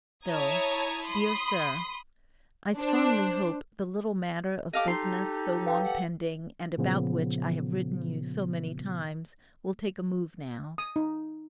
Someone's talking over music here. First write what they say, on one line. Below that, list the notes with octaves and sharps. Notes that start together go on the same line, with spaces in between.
STILL, DEAR SIR:--I strongly hope the little matter of business so long pending and about which I have written you so many times, will take a move now.
E4 C#5 A5 A#5 D#6 G#6
B5 C6 D#6
D4 C5
G4 A4 D#5 F5 D6
D#4 C6
B4 F5 G5
F#5
A#2 C#3 F3 B3
D#6
D#4